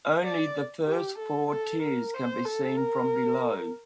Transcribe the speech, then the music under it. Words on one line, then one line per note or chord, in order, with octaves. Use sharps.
Only the first four tiers can be seen from below.
D5
G4
A4
A4
A#4
C5
A4
A#4